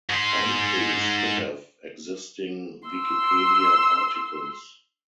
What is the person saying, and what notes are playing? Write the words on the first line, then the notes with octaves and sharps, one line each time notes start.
Entries should have existing Wikipedia articles.
G#2 C6
C6 E6